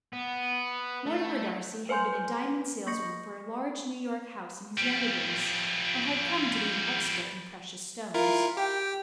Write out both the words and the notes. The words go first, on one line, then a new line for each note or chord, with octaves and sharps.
Mortimer Darcy had been a diamond salesman for a large New York house in his younger days, and had come to be an expert in precious stones.
B3
A3
B4 C5 G#5 C6 G6
A#3 C#6 A#6 C#7
F3 G3
E4 F4 A#4
G4 G5